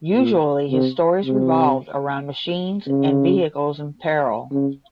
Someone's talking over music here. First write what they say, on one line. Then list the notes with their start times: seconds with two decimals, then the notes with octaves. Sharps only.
Usually his stories revolved around machines and vehicles in peril.
0.15 A#2
0.70 C3
1.24 C3
2.88 C#3
4.51 C#3